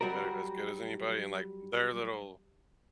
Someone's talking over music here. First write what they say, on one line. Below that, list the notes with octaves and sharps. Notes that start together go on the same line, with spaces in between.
better as good as anybody, and, like, their little
F#3 G3 F#4 A#4